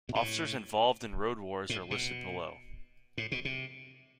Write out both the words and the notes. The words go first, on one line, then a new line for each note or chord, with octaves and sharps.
Officers involved in Road Wars are listed below.
B2
A2
A2
B2
A2
B2
C3